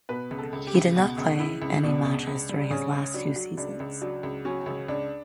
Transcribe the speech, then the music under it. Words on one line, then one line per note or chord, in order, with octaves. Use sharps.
He did not play any matches during his last two seasons.
B2 B4
C#2
A4
C#2
G4
C#2
B2 F#4
C#2
C#2 E4
C#2
B2 D4
C#2
C#2
G3
C#3 C#4
C#2
F#3 D4
F#3
C#2 D4
C#2
F#3 D4
C#2
F#3 C#4
C#2
C#2 D4